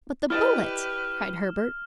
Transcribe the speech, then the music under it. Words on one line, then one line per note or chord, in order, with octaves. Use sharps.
"But the bullet," cried Herbert.
E4 G4 B4 D5 D#5 F6 E7